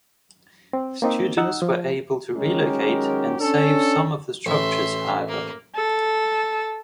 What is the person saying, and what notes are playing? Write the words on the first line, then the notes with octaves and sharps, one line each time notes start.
Students were able to relocate and save some of the structures, however.
C4
A#3 C4 D#4
D#4 F#5 E6
F3
D#3 F#3 G#3 C#4 G4 A#4
C#4 D4 A4
A1 E5 C6
A#3
A4